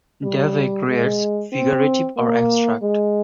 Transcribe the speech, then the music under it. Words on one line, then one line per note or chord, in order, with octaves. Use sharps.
Davey creates figurative or abstract.
G3
G#3
C4
A#3
G#3